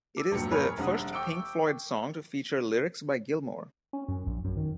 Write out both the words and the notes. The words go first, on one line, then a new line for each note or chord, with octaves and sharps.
It is the first Pink Floyd song to feature lyrics by Gilmour.
D6 E6
E1 G2 A#2 F#3 G5 C#7
G#4 A#4 C#5 B5 F6
F1 G3 D4 F#5 D#6
G5 C#6 D6 E6 C#7 D7
C#4
F#2
A#1
F#2
D#3